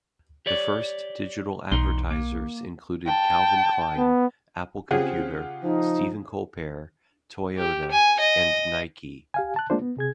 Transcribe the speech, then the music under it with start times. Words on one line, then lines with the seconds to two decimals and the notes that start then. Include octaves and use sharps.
The first digital advertisers included Calvin Klein, Apple Computer, Stephen Colbert, Toyota and Nike.
0.46 G4 C#5 D5
1.72 B1 E2 D#4 C6
2.10 A#3
3.06 G5 A5
3.97 B3
4.91 C#3 C4 F4 G4 G#4 F#5
5.63 F3 D#4
7.58 G4
7.91 G#5
8.20 D#5
9.34 G4 F5 G#5
9.56 A5 F#6
9.70 G#3 A#3 D4 F4 C5
9.82 B3
9.97 C3 G#4 G#6